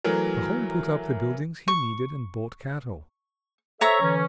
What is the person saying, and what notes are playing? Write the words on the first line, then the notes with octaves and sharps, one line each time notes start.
Pahom put up the buildings he needed, and bought cattle.
E3 F#3 A3 A#4
C#6
A4 C5 C#5 E5 A#5 C#6
D3 E3 C#4